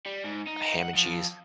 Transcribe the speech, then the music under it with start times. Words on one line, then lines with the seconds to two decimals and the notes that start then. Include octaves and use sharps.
A ham and cheese
0.06 G3
0.24 G#2
0.47 D#4
0.79 F#5
0.94 F2